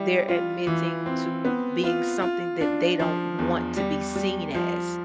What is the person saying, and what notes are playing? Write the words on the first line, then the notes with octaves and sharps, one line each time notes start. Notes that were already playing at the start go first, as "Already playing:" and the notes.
they're admitting to being something that they don't want to be seen as.
Already playing: G3 E4
F4
E3
C4
B3
F4
F4
D4
F3
E2
G3
G3
F3